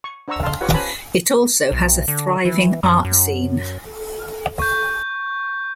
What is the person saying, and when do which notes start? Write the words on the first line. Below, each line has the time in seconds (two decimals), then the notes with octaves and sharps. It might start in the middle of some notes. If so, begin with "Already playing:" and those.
It also has a thriving art scene.
0.04 C#6
0.28 D4 C5 F#5 A#5 C#6 E6
0.43 F5 A5 C6
0.61 F4 G4 B4 C#5 F#5
0.74 C#4 B4 C5 G#5 A5 B5
1.72 B1
2.08 D3
2.45 E3
2.83 F#2
3.05 F#2
4.59 C#6 G6